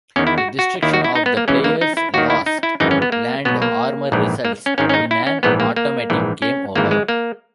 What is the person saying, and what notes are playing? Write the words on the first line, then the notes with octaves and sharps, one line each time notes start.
The destruction of the player's last Land-Armor results in an automatic game over.
E2 D#3 C#4
E4
F#4
F#4
D#2 D#3 E4
F#4
E4
D#4
B3
A#3
C#2 C#3 E3 C#4
A#3
D#4
E4
D#2 D#3 F#4
E4
D#4
E4
G#1 F#2 E3 D#4
C#4
B3
A#3
B1 B2 B3
A#3
A#1 G#2 E3
A#3
C#4
G#1 G#2 D#3 C#4
C#4
D#4
E4
C#4
A#1 G#2 E3 B3
A#3
A#3
A#1 G#2 E3
C#4
G#1 G#2 E3 A#3
G#3
A#3